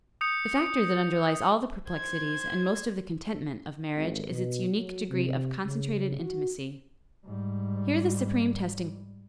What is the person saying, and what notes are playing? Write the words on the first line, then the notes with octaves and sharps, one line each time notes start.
The factor that underlies all the perplexities, and most of the contentment, of marriage is its unique degree of concentrated intimacy. Here the supreme testing always comes.
D#6 G6 C#7
C5 G#6
G#1
B2
F#3
C3
C#3
F#4
G#2 G3